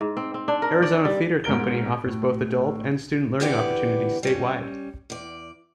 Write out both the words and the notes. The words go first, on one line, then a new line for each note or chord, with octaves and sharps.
Arizona Theatre Company offers both adult and student learning opportunities statewide.
G#2
C4
C4
D4
A#4
D5
G3
G#2 B2 A#4 D7 G7
A2
E2 D3 E3 B3 G4 D5
G3 C#4
E2 D5